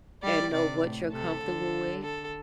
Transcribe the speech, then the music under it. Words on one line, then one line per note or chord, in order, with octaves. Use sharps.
and know what you're comfortable with,
G3 D5
C3 D5
A2
C3 A4
D3
A4